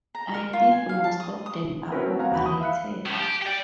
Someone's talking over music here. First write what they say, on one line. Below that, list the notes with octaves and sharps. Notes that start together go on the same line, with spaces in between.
I think most of them are overrated.
A#5
A#4
F4
G#5
F5
A5
D#6
D#6
C4 C#4 E4 F#4 A#4 B4
F#3 A3 B3 C4
F5 F#5 G#5 A#5
D#2 F#4 F#5 B5
B5 D#6
E5 F5 B5 F#6 C#7
A2 F3
G4
D5 G5